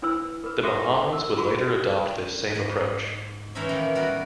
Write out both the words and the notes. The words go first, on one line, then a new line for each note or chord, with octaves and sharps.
The Bahamas would later adopt this same approach.
D4 E4 B4 C5 E6
A#4 B4
F#4 G4 A4 E5
A#4 F#5
F4 F#4 G#4
G#2 D#5
E3 G#3 C#4 D#4 C#5 E5
A2 D#3 E3 A#3 E4
G3 B3 F#4 A#4